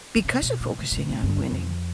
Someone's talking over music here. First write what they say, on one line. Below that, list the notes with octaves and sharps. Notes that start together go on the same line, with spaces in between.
because of focusing on winning
D3
C#3
C3
B2
A#2
A2
A#2
A2
A2
G2
F#2
F2